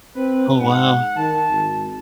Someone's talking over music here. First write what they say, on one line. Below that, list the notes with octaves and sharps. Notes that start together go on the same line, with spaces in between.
Oh, wow.
C4 B4
G#2 F#5
D#3 A5
G#1